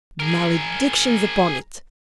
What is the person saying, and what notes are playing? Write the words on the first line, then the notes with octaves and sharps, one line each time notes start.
Maledictions upon it!
G#4 A#4